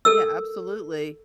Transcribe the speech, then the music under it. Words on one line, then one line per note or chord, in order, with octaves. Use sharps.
Yeah, absolutely.
A4 A#4 E6